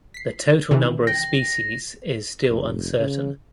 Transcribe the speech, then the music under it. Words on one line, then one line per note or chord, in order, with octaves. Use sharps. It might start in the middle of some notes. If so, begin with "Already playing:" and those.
The total number of species is still uncertain.
B6 C7
C3 D#3 E3
G5 A#6
F1
C#3